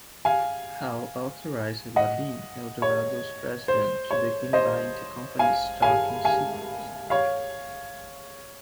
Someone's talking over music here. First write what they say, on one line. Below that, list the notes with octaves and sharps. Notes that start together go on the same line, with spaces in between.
Howe authorized LaBine, Eldorado's president, to begin buying the company's stock in secret.
F5 G#5
D#5 F#5
C#5
C5
C#5
C5 D#5
F5 G#5
F5 G#5
F5 G#5
C#5 F5